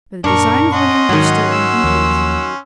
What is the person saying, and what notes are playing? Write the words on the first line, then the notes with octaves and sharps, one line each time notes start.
But the design of William was still incomplete.
F#2 A#2 D4 A#4 C#6
C#4 D#5 F#5 C6
G#2 D#3 F#3
E6
D#2 F3 A#3